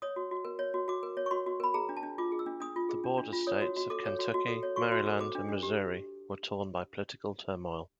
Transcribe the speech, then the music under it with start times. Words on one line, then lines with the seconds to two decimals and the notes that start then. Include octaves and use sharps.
The Border States of Kentucky, Maryland, and Missouri were torn by political turmoil.
0.02 C#5 D#6
0.16 F#4
0.31 F#4
0.45 A#4
0.59 C#5
0.74 F#4
0.88 F#4 D6
1.03 A#4
1.17 C#5
1.26 C#6
1.31 F#4 C6
1.47 F#4
1.60 A#4 B5
1.74 G#4 A#5
1.89 D4
1.97 A5
2.03 D4
2.18 F4 D6
2.32 G#4
2.39 E6
2.46 D4
2.60 D4 D#6
2.76 F4
2.89 G#4
3.04 D4
3.18 D4
3.32 F4
3.47 C#5 D#6
3.61 F#4
3.77 F#4
3.90 A4 D6
4.05 C#5
4.19 F#4
4.34 F#4
4.48 A4
4.63 C#5
4.76 F#4 C#6
4.92 F#4
5.06 A4
5.19 C5 D6
5.35 D4
5.49 D4
5.63 G4